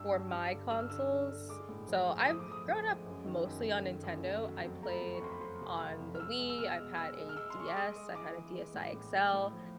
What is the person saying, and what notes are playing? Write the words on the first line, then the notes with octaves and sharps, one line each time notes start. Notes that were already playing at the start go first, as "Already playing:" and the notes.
for my consoles so I've grown up mostly on Nintendo. I played on the Wii, I've had a DS, I've had a DSi XL.
Already playing: G2 E6
G2
G2
D3
G2 E6
F6
D3 E6
D3
D3
G#3 D6
A2
F3
G#3
F3 D#6
D6
F3
D#6
F3
G#3
F#2
D#3
F#2
A3
D#3
F#2
A3
F#3
F2
A3 A#5
B5
A3
C#6
F2 C6
B5
F3 C6
C3
A3
F2
F6
G#3 E6
G#3
E6
B2 F6
G#3
G#3 E6
G#3
F6
G#3 E6
C6
G#3 C#6
D6
G#3 D#6
G#3
E3 D6
G#3
G#3
A2
A2
A2
A2
F3